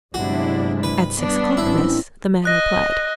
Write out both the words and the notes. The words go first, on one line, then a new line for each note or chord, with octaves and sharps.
"At six o'clock, miss," the man replied.
G1 C3 F#3 G#3 D4 E4 F#4
B4
G3 B3 D4
A1 C4 C#4 E4
D#5 F#6 A#6